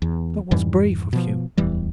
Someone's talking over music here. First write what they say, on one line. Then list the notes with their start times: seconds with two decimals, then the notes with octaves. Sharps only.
"That was brave of you."
0.02 E2
0.51 F2 G#2 E3 G3
1.13 B2 F3
1.57 D1 E2 E3 G3